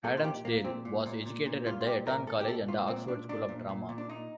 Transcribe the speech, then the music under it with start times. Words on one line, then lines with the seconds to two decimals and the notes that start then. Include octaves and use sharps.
Adamsdale was educated at Eton College and the Oxford School of Drama.
0.04 A#2 A4
0.17 F4
0.24 A#2 G4
0.45 A#2 A#3
0.64 A#2 C4
0.85 A#2
1.06 A#2
1.26 A#2
1.46 A#2
1.66 A#2 F4
1.81 F4
1.86 A#2 G4
2.07 A#2 A#4
2.27 A#2 A4
2.41 G4
2.48 A#2 A4
2.68 A#2 F4
2.88 A#2 C4
3.08 A#2 D4
3.29 A#2 D4
3.49 A#2
3.69 A#2
3.89 A#2
3.98 D4
4.09 A#2 D#4